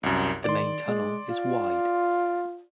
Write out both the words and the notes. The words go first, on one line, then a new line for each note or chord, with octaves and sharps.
The main tunnel is wide.
C2 F#2
D#3 D5 C6
G#3
F4